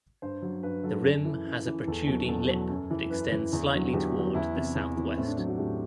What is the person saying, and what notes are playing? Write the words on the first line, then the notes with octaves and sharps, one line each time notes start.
The rim has a protruding lip that extends slightly toward the southwest.
G2 C5
F#3
G2 B4
F#3 A4
F#2
E3
F#2
E3
E2 A4
B2 F#3
E2 A4
B2 F#3
F#2
E3
F#2 B4
E3
E2
D3 F#3
E2 G4
D3
F#3
E2 E4
C3 E3
E2
C3 E3
A2 C4
D4
F#3 D4
F#4
A2 G4